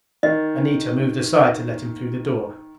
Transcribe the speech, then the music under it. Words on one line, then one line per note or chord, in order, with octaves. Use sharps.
Anita moved aside to let him through the door.
D#3 D#5